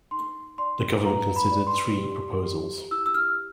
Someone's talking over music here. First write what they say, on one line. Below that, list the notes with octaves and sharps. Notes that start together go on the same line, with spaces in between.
The government considered three proposals.
D#4 C6
D5 C6
B4 A#5
B5
D5
C6
G4
G4
E4 E6
E6
F6